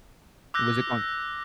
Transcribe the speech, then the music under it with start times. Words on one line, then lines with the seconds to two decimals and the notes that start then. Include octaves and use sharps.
Was it called?
0.54 D6 E6 F#6 G6 A#6